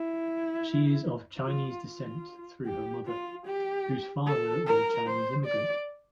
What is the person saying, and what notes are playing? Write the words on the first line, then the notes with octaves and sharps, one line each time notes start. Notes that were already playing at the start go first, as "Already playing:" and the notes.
She is of Chinese descent through her mother, whose father was a Chinese immigrant.
Already playing: E4
F4
F4
G4
F4
G4
A4
A#4
C5
D5